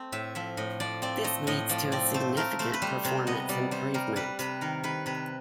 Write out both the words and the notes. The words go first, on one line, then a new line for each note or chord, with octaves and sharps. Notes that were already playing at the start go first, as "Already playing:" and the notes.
This leads to a significant performance improvement.
Already playing: A3 C4
A2 E5
F3 E5
A2 D#5
F3 D5
C4 D5
A3 D#5
A2 D#5
F3 D5
C4 D5
A3 C5
A3 A#4
A3 C5
B4
G3 C5
C3 C5
B3 D#5
G3 D5
G3 C5
G3 A#4
G3 B4
C3 B4
D#3 A#4
D#3 B4
C3 B4